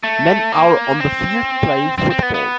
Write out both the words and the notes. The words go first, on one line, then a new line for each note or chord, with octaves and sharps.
Men are on the field playing football.
A3
A#3
C4
C4
C4
B3
B3